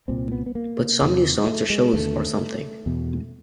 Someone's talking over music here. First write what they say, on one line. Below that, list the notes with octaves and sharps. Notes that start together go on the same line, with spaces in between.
But, some new songs or shows or something.
C2 A#2 C4
B3
B3
A#3
E2 C3
A3
G#3
D#2 D3 A3
E2 B2